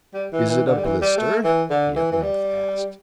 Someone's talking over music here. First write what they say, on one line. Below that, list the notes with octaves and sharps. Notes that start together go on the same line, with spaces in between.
"Is it a blister?" he at length asked.
G3
E3
E3
D3
G3
E3
G3
A3
E3
D3
E3
E3
G3